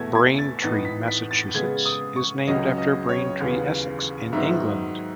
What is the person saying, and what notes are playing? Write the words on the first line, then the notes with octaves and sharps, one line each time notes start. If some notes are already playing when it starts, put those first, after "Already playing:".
Braintree, Massachusetts is named after Braintree, Essex in England.
Already playing: E2 B2 A3 E4 G#6
G#6
A6
A2 E3 B3 D#4 A6
B6
B6
A6
C#3 G#3 B3 G#6
D#6
C#6
C#2 C#3 F#3 C#4 D#5
D#5
C#5
D#2 C#3 E3 B3
G#2 D#3 F#3 B3 D#4 E5